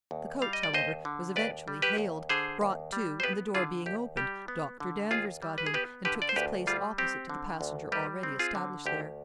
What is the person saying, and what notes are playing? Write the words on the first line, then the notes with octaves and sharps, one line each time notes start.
The coach, however, was eventually hailed, brought to, and the door being opened, Dr. Danvers got in, and took his place opposite to the passenger already established there.
D#2
G3 F5
D#5
D5
D#2 C5 D#5
D3
D#2 B4 D5
G3
G4 B4
D#2
D3 G#4 C5
D#2
G3
C5
B3 G4 B4
D3 F4 G#4
D#2 G4
G3 G4
B3
D3
D#2 F4 G#4
G3
B4
G#4
B3 G4 B4
D3 G4 B4
D5
C5
D2 G4 B4
G3 F4 G#4
C4 G4
D3
D2
G3 G4 B4
C4
F4 G#4
D3
D2 G4